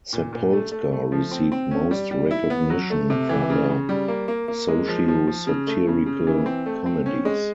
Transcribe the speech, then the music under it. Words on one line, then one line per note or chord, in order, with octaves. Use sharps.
Zapolska received most recognition for her socio-satirical comedies.
A#2
A#2
A3
A3
A3
F3
C4
C4
C#4
G3
G3
E4
B3
F#3
A3
C3
E3
C#3
C#3
G3
A#3
A#3
A#3
G#3
F3
F3
F3
C#3
A3
C#3
C#3
E3
C4
A3
C4
C#4
G#3